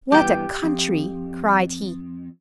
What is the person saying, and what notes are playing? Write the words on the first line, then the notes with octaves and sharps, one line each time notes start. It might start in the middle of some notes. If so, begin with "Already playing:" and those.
"What a country!" cried he.
G2 E3 B3 G4 G5
F2